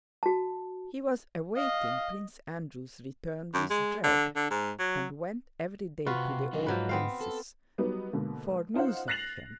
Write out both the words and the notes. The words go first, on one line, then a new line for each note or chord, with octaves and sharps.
He was awaiting Prince Andrew's return with dread and went every day to the old prince's for news of him.
F#4 A5
D#5 F5
F#2
G#3
D3
D3
G#2
F#3
C3 F4 F#4 B4
D3 F#3 D#4
G#2 F3 F#3 B4
B3 C4 F5
A4
F#3 G3 B3 D#4
G#2 B2 D3 A#3
D#4 F4 C5 F5 F#5
F#6 A6 A#6 C7 F7 F#7